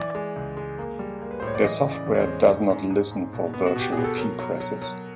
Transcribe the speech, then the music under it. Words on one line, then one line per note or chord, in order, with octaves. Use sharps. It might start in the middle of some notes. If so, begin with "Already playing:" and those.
Their software does not listen for virtual keypresses.
Already playing: E3 D5
G#3
C#2
G#3
A#3
G3
A#3
B4
A2 C5
C#5
D5
E3 D#5
C#3
D5
E2
C#5
C5
G#3
G#2
G#2
G#2
G#2
B2
B3
F#4
B2 G4
B2 G#4
A4
F#3 A#4
F#3
F#3
F#3